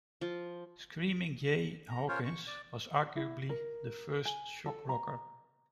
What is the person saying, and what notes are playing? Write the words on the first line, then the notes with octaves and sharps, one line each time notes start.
Screamin' Jay Hawkins was arguably the first shock rocker.
F3
A#5
C#4 F4 A#4 C5 C#5
C#6
D5
E4
A#4
G#5
A4
A#5